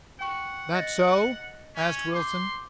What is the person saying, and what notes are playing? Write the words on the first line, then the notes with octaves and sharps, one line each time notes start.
"That so?" asked Wilson.
F#5 G5 C#6
D#5 A6 A#6
C#4
C6 D6 G6